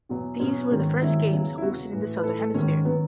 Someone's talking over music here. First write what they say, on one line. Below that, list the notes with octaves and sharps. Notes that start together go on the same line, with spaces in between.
These were the first Games hosted in the southern hemisphere.
E2 B2 F#3
E2 B2 F#3 C#4
G#2 D#3 F#3
G#2 D#3 F#3 E4
E2 C#3 F#3
E4
E2 C#3 F#3 F#4
A2 E3
B4
A2 E3 A4
A4
G#2 D#3 F#3 C#4
D#3 F#3 B3